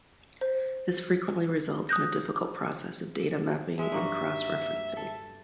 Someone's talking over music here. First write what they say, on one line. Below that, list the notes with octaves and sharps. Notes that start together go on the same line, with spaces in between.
This frequently results in a difficult process of data mapping and cross-referencing.
C5
D#6 F#6 G6 A#6
G#3 E5
G2 A#3 F#4
A4